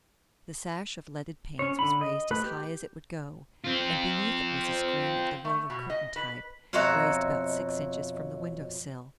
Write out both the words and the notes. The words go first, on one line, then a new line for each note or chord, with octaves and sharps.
The sash of leaded panes was raised as high as it would go, and beneath it was a screen of the roller-curtain type, raised about six inches from the window sill.
C#4 C#5
D3 B5
D#5
A3 B4
G4
C4 F4
A3
B2
D#5
B4
F2 B2 F#4 C#5 E5 A#5